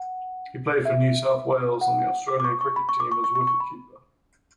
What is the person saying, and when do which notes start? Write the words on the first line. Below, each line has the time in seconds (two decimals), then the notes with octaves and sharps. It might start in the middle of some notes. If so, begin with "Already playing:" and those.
He played for New South Wales and the Australian cricket team as wicket-keeper.
Already playing: F#5
0.85 E5
1.81 F#5
2.28 D6
2.40 D6
2.44 C#6
2.61 C#6
2.76 B5
2.89 C#6
3.00 D6
3.12 C#6
3.24 C#6
3.35 C#6
3.47 C#6
3.60 B5